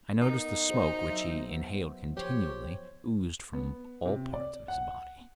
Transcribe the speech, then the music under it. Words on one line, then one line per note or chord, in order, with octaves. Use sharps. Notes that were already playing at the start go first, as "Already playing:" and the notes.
I noticed the smoke, which he inhaled continually, oozed from all parts of his body.
B3 D#4 A#4 D#5
F#4 G#4 C5
F#3 E5
B3
F3 G4 C5 C#5
B3
C3
D5
F#5